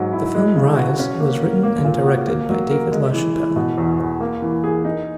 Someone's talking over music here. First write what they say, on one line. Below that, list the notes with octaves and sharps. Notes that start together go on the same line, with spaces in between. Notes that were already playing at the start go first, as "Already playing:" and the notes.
The film "Rize" was written and directed by David LaChapelle.
Already playing: G#2 F#3
E4
G#3
C#3
F#4
C#4
A#3
A#4
A#3
A#2
F#4
A#3
F#3
A#4
G#3
E3
E3
B2
E2
E2
A#3
E3
G#4
D#4